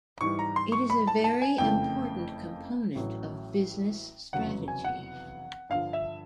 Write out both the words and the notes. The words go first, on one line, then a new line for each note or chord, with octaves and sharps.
It is a very important component of business strategy.
G#2 E3 G3 C#6
A#5
C6
C#6
B5
A5
A5
G#5
F#1 F2 C#3 E3 A3 G5
A1 A2 F#3
F1 E2 C#3 F#3 B3 F#5
G#5
F#5
G2 D3 F3 F5
E5